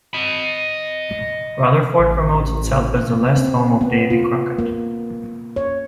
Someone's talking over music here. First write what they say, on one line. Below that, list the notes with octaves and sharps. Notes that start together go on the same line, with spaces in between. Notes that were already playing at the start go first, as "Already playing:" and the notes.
Rutherford promotes itself as the "Last Home of Davy Crockett".
D#5 B5
A1
B3
C4
B3
F4
A#3
C#5